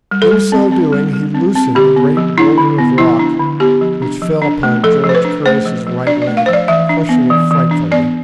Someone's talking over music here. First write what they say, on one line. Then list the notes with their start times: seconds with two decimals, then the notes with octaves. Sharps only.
In so doing he loosened a great boulder of rock, which fell upon George Curtis's right leg, crushing it frightfully.
0.11 G3
0.22 A4
0.31 G3
0.52 C4
0.72 C4
0.93 G3
1.13 G3
1.34 C4
1.55 C4
1.75 D3 G4
1.96 B3
2.17 F3
2.38 D4 E4
2.58 D3
2.78 B3
2.98 F3 E4
3.19 D4
3.39 D3
3.60 B3 G4
3.81 F3
4.02 D4
4.22 F3
4.42 D4
4.63 A3
4.84 F3 A4
5.04 F3
5.09 C5
5.15 B4
5.25 D4
5.46 A3 C5
5.66 F3
5.86 F3
6.07 D4 D5
6.22 D5
6.27 A3
6.37 F5
6.46 F3 C5
6.53 D5
6.68 E3 E5
6.89 D4
7.09 B3
7.30 E3
7.51 E3
7.71 D4
7.91 B3 D5